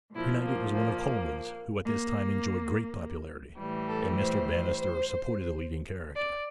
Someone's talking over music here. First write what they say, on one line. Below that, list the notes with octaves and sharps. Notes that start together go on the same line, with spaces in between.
To-night it was one of Colman's, who at this time enjoyed great popularity, and Mr. Bannister supported the leading character.
A#2 F3 E4
A#3
A#3
A#3
A2 E3 G3
A4
C5
D5